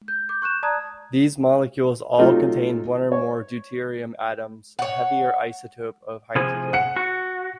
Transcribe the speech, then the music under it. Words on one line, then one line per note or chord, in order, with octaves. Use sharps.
These molecules all contain one or more deuterium atoms, a heavier isotope of hydrogen.
G6
D6 G6
C#6 F#6 G6 E7
D5 A5 A#5 D#6 F#6 G#6
C3 F#3 A3 D#4 F4 G4
C#5
C#5 F#5
C3 F3 G#4
F#5 C#7
F#4